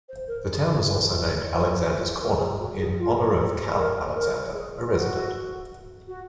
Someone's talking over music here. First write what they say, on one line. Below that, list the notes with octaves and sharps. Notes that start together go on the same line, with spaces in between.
The town was also named Alexander's Corner in honor of Cal Alexander, a resident.
C5
A#4
G#4
C5
C5
A#4
G#4
F#4
G#4
F4
G#4
A#4
A#4
G#4
F#4
F#4